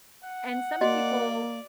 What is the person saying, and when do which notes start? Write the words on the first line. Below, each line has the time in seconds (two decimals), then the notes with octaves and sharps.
And some people
0.24 F#5
0.81 A#3 F#4 D5 D#5